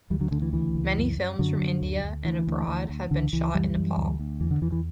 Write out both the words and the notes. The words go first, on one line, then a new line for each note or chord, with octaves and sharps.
Many films from India and abroad have been shot in Nepal.
D2 E3 G3
D3 F#3
D2 D3
E3
C#2 E3
C#2
F#2
F#2
F#2 D3 F#3
F#2
D2
D2
D2 E3
D2
D2
D2
C#2 D3
C#2 E3
F#2 E3 G3
F#2
D2
D2
E2 E3
D3
E2 E3
E3